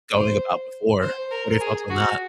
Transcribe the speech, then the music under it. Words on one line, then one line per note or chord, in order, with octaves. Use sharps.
going about before. What are your thoughts on that?
C5
C5
A#4
G#4
F#4